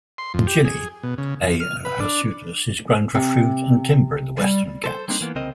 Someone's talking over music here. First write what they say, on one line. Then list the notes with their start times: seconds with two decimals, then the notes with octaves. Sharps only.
Anjily, "A. hirsutus", is grown for fruit and timber in the Western Ghats.
0.18 C6
0.34 F2
0.47 G4
0.65 G#4
1.03 B2
1.18 C#3
1.42 F2
1.60 F6
1.85 B4
2.00 D4
3.15 C3
4.38 G3
4.84 A4 C5
5.08 G3 A#3 C4 D4 D#4
5.21 E3 A#3 B3
5.35 C2 C#3 C4 A#4 C5 D#5